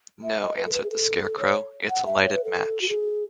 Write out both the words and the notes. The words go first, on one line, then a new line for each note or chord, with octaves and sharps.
"No," answered the Scarecrow; "it's a lighted match."
E5
D#5
B4
A4
B4
G#4
A4
A4
C#5
F#5
E5
C#5
B4
A4
F#4
G#4